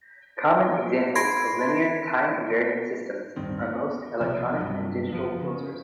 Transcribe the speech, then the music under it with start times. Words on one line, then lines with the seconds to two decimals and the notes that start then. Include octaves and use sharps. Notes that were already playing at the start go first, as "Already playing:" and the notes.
Common examples of linear time-invariant systems are most electronic and digital filters.
1.15 B5 C6 G#6 A#6 C7 D7
3.36 D1 G2 D#3 C4
3.62 B3
4.20 B1 C3 F3 B3
4.57 G2 C3 F#3
5.10 F#1 F3 B3
5.41 C#3